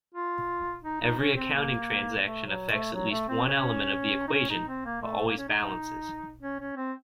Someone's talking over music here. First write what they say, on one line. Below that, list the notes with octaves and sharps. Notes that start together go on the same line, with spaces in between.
Every accounting transaction affects at least one element of the equation, but always balances.
F4
D#4
D#4
C#4
C4
A#3
A3
F#3
A3
F#3
A3
C4
C#4
D#4
C#4
D#4
C4
A#3
A3
A#3
C#4
D#4
C#4
C#4
C4